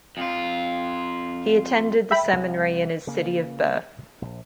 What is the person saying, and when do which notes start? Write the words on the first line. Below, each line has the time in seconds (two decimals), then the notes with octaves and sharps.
He attended the seminary in his city of birth.
0.17 F2 F4
2.11 E5 G5 B5
2.33 C2
3.07 C#3 A#3
4.22 A#1